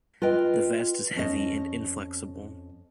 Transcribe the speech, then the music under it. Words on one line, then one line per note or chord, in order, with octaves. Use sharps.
The vest is heavy and inflexible.
F4 B4 D#5 G5
F2 C#4 D#5